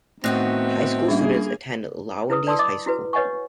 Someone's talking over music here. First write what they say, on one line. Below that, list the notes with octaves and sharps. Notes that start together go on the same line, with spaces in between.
High school students attend Lowndes High School.
A2 D#3 B3 C4 D#4 F#4 F#6 A#6
G3 A#3 D4 G#4
E4 B4 D#6
D5 A5 C6 D#6 E6
D#5 D6 D#6
E4 F#4 B4
B4 C#5 D#5 F#5 G#5 C#6